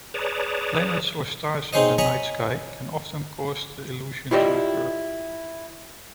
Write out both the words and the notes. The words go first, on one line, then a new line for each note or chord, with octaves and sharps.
Planets or stars in the night sky can often cause the illusion to occur.
G#4 B4 C#5 D5 A5 A#5
C4 D#4 G#4 C5 C#5 D#5
C#5 D#5 G#5 A#5 B5 C#6
E4 F4 G4 C5 D5 D#5